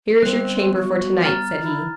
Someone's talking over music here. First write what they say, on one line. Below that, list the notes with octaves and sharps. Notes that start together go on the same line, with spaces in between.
"Here is your chamber for to-night," said he.
G3 B3 C4 F#6
F#4
A#5 F6 A6
E4